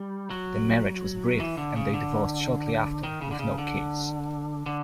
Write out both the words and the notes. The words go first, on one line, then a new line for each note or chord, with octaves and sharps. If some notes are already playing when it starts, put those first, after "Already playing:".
The marriage was brief and they divorced shortly after with no kids.
Already playing: G3
F#3
E3
D3
C#3
D3
D#3
C#3
D3
C#3
D3
D3